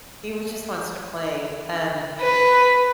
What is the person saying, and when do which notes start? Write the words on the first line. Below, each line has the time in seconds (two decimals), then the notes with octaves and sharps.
He was just wants to play. Um,
2.21 B4